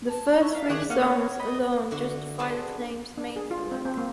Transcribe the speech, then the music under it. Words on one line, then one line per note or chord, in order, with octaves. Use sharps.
The first three songs alone justify the claims made for them.
A5
E4 C#6
E5 F5
D#3 D4 G#4 C#5 F#6
A#3 C#4 C#5 F5 F#5
D#5 B5
D3 F#4 E5
B3 C4 D4 G#4 A5 B5
D4
G#4
F4
C4
C4
A#3